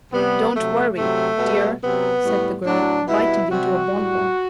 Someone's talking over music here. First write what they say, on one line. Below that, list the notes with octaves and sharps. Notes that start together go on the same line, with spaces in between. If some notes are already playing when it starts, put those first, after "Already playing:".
"Don't worry, dear," said the girl, biting into a bonbon.
C3 G3 B3
C3 F#3 A3
C3 F#3 A3
B2 G3
C3 F#3 B3
A2 G3
A2 F#3 D4
B2 G3 E4
C3 G3 F#4
A2 G3